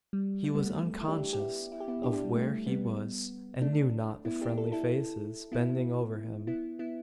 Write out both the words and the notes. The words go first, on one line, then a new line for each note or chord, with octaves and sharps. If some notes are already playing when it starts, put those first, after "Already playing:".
He was unconscious of where he was, and knew not the friendly faces bending over him.
G3
A3
G3 B3
A3
E4
D4 G4
G4
B3 E4
E4
G4
B3 E4
D4 G4
D4 G4
G3
A3
G3 B3
A3 D4
B3 E4
D4 G4
A4
E4 A4
B3 E4
B3 E4
B3 E4